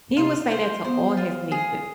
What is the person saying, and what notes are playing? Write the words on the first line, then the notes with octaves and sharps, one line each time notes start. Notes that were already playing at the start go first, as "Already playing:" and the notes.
He would say that to all his nieces.
C3 F4
C5
B3 C5
F4
G#4